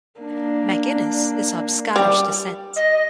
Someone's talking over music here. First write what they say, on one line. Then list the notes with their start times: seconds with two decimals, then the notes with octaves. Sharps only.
MacInnis is of Scottish descent.
0.20 A#3 D4
1.96 G3
2.76 D#5